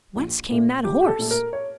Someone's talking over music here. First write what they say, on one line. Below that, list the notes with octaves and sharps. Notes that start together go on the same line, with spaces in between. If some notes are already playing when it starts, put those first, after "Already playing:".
Whence came that horse?
A#1
A#2 A3
A#1 G4
G4
A4
A#2 A3 A4
A#4
C#5